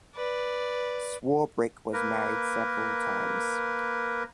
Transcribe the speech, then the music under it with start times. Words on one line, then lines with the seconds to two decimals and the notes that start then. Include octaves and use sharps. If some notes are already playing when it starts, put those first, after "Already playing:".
Swarbrick was married several times.
0.16 B4 D5
1.93 A#3 A#4 B4